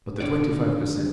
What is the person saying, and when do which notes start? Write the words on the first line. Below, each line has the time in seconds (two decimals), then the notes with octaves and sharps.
But the twenty-five per cent.
0.20 D#2 D3 D#3 C#5 D5